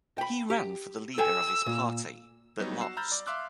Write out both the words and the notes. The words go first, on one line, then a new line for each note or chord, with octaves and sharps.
He ran for the leader of his party, but lost.
G5 B5
G4
A4 G5 G#5 E6
A#2
F#3 G3 B3 D#4
F#4 E6 C7 E7
A#5 B5 E6 F6 G6 A6
D5
E5 F5 C6 D6 E6 F#6